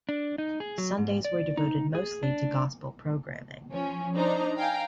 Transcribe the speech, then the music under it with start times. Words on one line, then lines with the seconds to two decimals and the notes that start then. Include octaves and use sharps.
Sundays were devoted mostly to gospel programming.
0.09 D4
0.38 D#4
0.60 G#4
0.78 F#3
0.98 G#2
1.25 D5
1.57 D#4
1.95 G#4
2.23 D4
3.72 F3 C#4
4.14 D4 D#4 C5 A#5
4.56 F5 G5 G#5 A#5